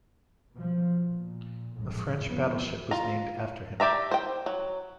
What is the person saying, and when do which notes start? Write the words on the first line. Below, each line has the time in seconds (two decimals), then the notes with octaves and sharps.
A French battleship was named after him.
0.53 B2 F3
1.06 A#2
1.77 A#1 F#2 A2 G#3
2.28 E3 F3 B3
2.91 F4 A#5
3.80 G4 D5 E5 A#5
4.11 C5 G5
4.46 F#3